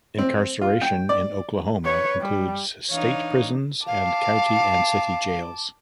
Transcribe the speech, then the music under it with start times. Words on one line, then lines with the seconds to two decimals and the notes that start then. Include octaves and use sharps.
Incarceration in Oklahoma includes state prisons and county and city jails.
0.18 C4
0.61 F4
0.81 G5
1.09 D5
1.85 B4 C#5
2.21 G3
2.90 E3 D4 D#4 C#5 F5
3.87 F5 A5 D6